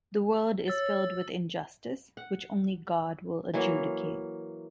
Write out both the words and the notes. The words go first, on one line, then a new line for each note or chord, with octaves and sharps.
The world is filled with injustice, which only God will adjudicate.
C#5 E6 A6
F#5
E3 F#3 A#3 E4